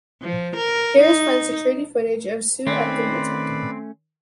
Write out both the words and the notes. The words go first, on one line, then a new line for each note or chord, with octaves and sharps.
Harris finds security footage of Sue at the motel.
F3
A#4
D#4
D#3 A3 C4 C#4 B4 D5 B5